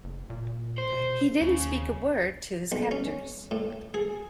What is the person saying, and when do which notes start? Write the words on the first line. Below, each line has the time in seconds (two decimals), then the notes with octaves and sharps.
He didn't speak a word to his captors.
0.04 F#1
0.30 A#2
0.78 C5
0.92 B2
1.41 D#2 C#3
2.72 B1
2.91 C#4
3.51 A2
3.94 G#4